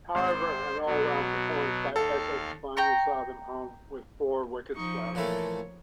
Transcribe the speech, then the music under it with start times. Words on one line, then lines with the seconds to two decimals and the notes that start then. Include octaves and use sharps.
However, an all-round performance by Essex finally saw them home with four wickets left.
0.15 G#1 C5
0.86 B2 F#3
1.96 D#2 A4 F5
2.77 G5 A#5 C#6
4.76 F3 D#4 C#6
5.15 A#2 E3 A3 C#5